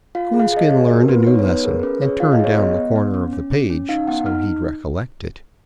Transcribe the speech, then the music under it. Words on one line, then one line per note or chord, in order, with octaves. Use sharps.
Coonskin learned a new lesson, and turned down the corner of the page so he'd recollect it.
F4 F5
G#4
F5
G#4 D#5
C#5
G#4
F#4 A#4
B3 B4
D#4 C#5
C#5
B3 B4
G#4 A#4
C#4 B4
G#4 C#5
F4 F5
D#5
G#4 C#5
B3 D#5
B3
B3
C#4
C#4
C#4
C#4
D#4 F5
B3 F#5
D#4 F6